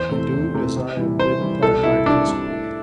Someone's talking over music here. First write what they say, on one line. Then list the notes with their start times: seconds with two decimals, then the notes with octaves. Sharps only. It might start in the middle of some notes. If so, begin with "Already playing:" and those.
'I do as I am bidden by my principal.
Already playing: E2 C5
0.11 C3 E3 A3 C4
0.33 E2
0.54 C3 E3 A3 C4
0.76 C3
0.97 E3 G3 E4
1.19 C3 C5
1.40 E3 G3 E4
1.63 C2 A4
1.83 C3 G3 E4
2.06 C2 D4
2.27 C3 G3
2.49 A2